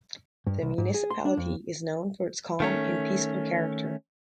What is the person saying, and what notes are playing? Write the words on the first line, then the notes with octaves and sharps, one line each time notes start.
The municipality is known for its calm and peaceful character.
G2
C2
G#2
G#4
C6
D4
F2
D#3 A3 C#4